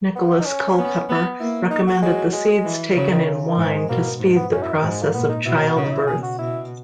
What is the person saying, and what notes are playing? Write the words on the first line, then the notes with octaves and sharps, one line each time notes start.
Nicholas Culpeper recommended the seeds taken in wine to speed the process of childbirth.
B3
D#4
C#4
B3
B3
A#3 E4
D#4
F#4
F#3 G#3
G#3
E3
C#3 F#3
D#3
C#3
D#3
G#2 E3
G#3
B2 A#3
G#2
B3
F#2 C#4
E4
D#4
G#2 G#3
A#3
A#2 B3
D#4
B2 E4
C#4
B3
C#3 F#4
D#4
E4
B2 G#4
F#4
B2 E4